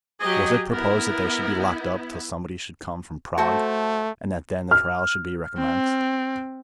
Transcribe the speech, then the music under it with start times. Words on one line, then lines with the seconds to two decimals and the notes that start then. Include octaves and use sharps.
Was it proposed that they should be locked up till somebody should come from Prague, and that then the trial should be recommenced?
0.20 F#3 G4 G#4 D#5
0.73 B3 E4 A#4
3.38 A3 F#4 A4 C5
4.71 F6
5.58 C4